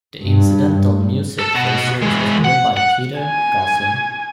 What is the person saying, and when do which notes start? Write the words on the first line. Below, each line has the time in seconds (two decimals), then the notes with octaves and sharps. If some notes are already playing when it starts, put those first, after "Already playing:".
The incidental music for the series was written by Peter Goslin.
0.23 G2
1.39 A4 A5
1.55 B2 F#4
2.02 E3 G#3
2.45 F#5
2.77 F#5
3.20 G#5